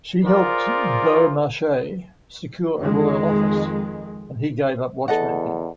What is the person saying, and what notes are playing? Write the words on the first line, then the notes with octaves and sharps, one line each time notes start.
She helped Beaumarchais secure a royal office, and he gave up watchmaking.
F4 G#4 A#4 C5 D5
F2 D#3 G#3
E2 A4 D#5 F#5